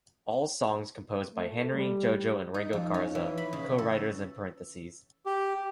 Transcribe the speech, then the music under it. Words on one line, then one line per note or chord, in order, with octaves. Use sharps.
All songs composed by Henry, Jojo, and Ringo Garza; co-writers in parentheses.
A3
G3
D#4
F2
C#4
E3
B5
C#3
A4
G4